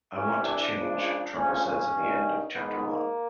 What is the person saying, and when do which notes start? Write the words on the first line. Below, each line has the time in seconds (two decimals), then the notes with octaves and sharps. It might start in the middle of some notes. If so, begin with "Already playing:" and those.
"I want to change", Trumper says at the end of Chapter One.
0.14 C2 C3 E3 C#4
0.45 D4
0.74 C#2 C#3 F3
1.34 D2 C#3 F3 C#4
1.64 C#4
1.94 G2 D#3
2.54 G#2 D#3 B3
2.84 A#3